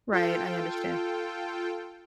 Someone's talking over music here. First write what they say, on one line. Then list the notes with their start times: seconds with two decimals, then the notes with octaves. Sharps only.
Right. I understand.
0.12 F4 A4 G5